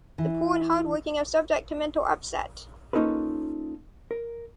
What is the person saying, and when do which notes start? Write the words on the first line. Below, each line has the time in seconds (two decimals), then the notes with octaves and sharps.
The poor and hard-working are subject to mental upset.
0.18 E3
2.93 A#3 C#4 D#4 F4 A4 B4
4.11 A#4